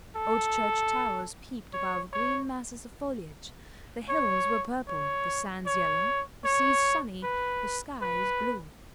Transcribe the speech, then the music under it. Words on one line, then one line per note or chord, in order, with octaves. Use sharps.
Old church towers peeped above green masses of foliage; the hills were purple, the sands yellow, the seas sunny, the skies blue.
A4
C#5
C#5
C#5
C#5
C#5
C#5
B4
B4